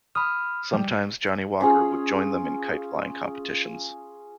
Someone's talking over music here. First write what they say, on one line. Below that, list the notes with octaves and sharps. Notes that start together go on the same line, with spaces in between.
Sometimes Johnny Walker would join them in kite-flying competitions.
B5 D#6 F6
G3
C#4 F4 G#4